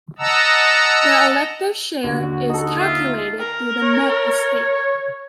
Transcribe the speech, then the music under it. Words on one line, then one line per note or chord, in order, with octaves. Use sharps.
The elective share is calculated through the net estate.
D#5 F#5 A5 A#5 E6
D#2 D3 F#4
D#4 A4
F4 E5
A#4
C#5